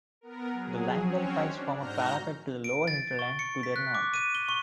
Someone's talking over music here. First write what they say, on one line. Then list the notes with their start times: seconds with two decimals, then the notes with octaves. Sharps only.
The Langdale Pikes form a parapet to the lower hinterland to their north.
0.21 B3 A#4
0.51 F#3 G#4
0.99 C4 C#4 F#4 C#5
1.44 D4
1.77 G#2 F#4 A#5 F6 G6 A#6
2.64 D7
2.88 A6
3.19 C#6
3.39 C#7
3.63 B6
3.76 F#6
3.95 D6
4.14 D#7
4.35 G7
4.49 C#6